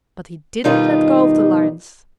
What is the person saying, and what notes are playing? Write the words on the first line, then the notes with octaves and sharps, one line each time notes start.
But he didn't let go of the lines!
B2 D#3 G3 D#4 F4 D#5